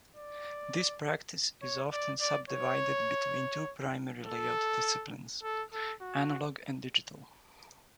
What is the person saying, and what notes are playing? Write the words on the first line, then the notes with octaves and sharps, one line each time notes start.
This practice is often subdivided between two primary layout disciplines: Analog and digital.
D5
C#5
D5
D5
C#5
A4
A4
A4
F#4